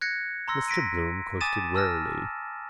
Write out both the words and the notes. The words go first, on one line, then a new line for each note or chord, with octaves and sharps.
Mr Bloom coasted warily.
F#6 G#6 A#6 C#7
A#5 C6 E6 A#6
A#6 B6 D7 D#7
G#5 D6 D#6 A6 D#7 E7
A5 E6 F6 A#6